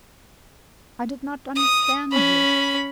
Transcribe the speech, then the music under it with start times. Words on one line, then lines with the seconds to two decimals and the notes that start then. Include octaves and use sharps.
I did not understand you.
1.56 D#6
2.12 C#4 B5